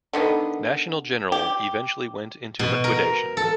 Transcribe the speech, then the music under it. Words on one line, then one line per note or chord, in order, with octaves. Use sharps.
National General eventually went into liquidation.
D3 D#3 B3
G4
B2
A#4
A4